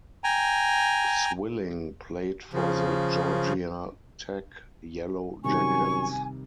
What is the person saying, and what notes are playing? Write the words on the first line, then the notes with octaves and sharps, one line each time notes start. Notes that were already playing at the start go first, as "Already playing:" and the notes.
Swilling played for the Georgia Tech Yellow Jackets.
G5 G#5 A#5
C#3 F3
F#2 C3 D#3 G3 G#5 C#6